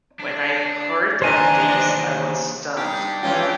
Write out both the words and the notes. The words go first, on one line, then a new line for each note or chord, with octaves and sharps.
When I heard of this I was stunned.
D4
D#2 E3 D4 C5 D#5 G#5 A#5
D4 D#4 G4
E3 G#3 C#4 F4 G5